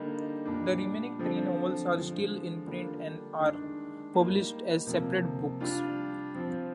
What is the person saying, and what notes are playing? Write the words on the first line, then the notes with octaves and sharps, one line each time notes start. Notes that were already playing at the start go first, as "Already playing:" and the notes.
The remaining three novels are still in print and are published as separate books.
Already playing: D3 G3 A#3 D#4
A#2 G3 D4
D3 F3 C4
D3 F3 G#3
D3 G3 A#3 D4 F4
D#3 G#3 D4
G3 A#3 D#4
C3 F3 A#3
G3 D4 F4
F3 C4 F4